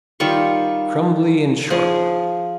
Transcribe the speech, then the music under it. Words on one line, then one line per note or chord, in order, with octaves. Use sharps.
Crumbly and sharp.
D#3 G3 F4 C#6
F3 G#4